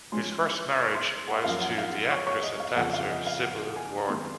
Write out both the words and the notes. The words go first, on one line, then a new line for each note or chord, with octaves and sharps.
His first marriage was to the actress and dancer Sybil Werden.
G#2 F3 G#3 C#4 C6
C#6
C6
F#5
F#2 F3 A#3 C#4 F5
F#5
F5
C#5
C#5
D#5
F5
F2 C#3 F3 F#5
F5
D#5
F5
F#5
G#5
F#2 D#3 G#3 C4 C6